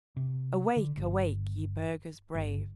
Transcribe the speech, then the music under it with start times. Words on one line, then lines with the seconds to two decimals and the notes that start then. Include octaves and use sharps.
Awake, awake, ye burghers brave!
0.17 C3
0.76 D3
0.97 G1
2.35 G1